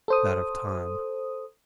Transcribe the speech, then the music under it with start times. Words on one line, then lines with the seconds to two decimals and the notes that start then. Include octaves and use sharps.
That of Time.
0.08 A4 C5 D#6